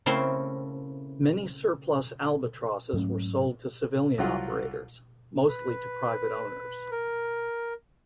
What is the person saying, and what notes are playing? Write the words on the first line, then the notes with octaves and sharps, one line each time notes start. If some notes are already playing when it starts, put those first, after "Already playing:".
Many surplus Albatrosses were sold to civilian operators, mostly to private owners.
C#3 A3 A#3 C4 E4 C6
G#2 F#3 A3 C#4
C2 F#3 F4 F#5
B4
A#4